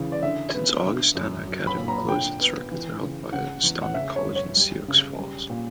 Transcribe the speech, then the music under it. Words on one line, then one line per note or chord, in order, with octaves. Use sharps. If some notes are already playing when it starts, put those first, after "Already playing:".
Since Augustana Academy closed, its records are held by Augustana College in Sioux Falls.
Already playing: C#3 E3
D5
D3 E5
B3
D3
F#2
F#3
B5
A#2
A#5
D3 G5
B3
E3
C#3
C#3 F#5
E2
F#5
C#3 E5
C#5
F#2
C#5
G3
C#3
G3
A#2